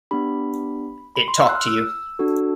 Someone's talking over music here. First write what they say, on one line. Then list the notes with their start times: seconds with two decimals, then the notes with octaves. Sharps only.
It talked to you.
0.11 B3 D4 G4 B5
1.16 B5
1.28 C6
1.41 E6
1.49 F#6
1.55 F6
1.67 E6
2.19 D4 F#4 A4